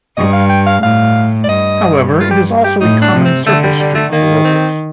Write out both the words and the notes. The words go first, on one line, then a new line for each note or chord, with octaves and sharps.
However, it is also a common surface street for locals.
G2 D#5
F5
G5
F5
A2 F5
D5
G2 D#5
F4
G4
G4
A2 D#4
D4
C3
C4
D3 A3
G3
G3
A3
D#3 A#3
C4